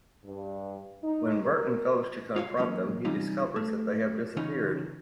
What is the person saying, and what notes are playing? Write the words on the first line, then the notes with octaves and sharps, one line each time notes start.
When Burton goes to confront them he discovers that they have disappeared.
G2
D#4
A#4
F4 C#5 F5
E2 F#3 A#3 C#4
C3 E3 G3 C#4 D#4 F4
A3
C#3 E3 C#4 D#4 F4 C#5